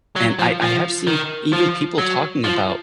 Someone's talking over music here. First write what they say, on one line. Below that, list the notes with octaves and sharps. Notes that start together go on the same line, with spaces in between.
And I I have seen even people talking about,
F#3
F3
F3
D#3
F3
F#3
F3